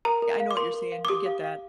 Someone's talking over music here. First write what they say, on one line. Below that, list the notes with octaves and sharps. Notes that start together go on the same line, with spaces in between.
I know what you're saying, I get that.
A#4 A#5
A#4
F5
D6
A#4 C6
A#4
F5
D6
G4 D#6
F5
F5